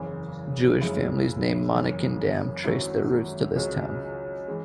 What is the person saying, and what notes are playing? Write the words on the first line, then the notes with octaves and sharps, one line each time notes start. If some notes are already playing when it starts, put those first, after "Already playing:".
Jewish families named Monnikendam trace their roots to this town.
Already playing: F#1 E2 C#3 E3
F#1 F#2 C#3 G#3 E4
F#1 F#2 C#3 E3
G#1 F#2 F#3 C#4 E4
C#2 C#3 F#3 C#4
E3 G#3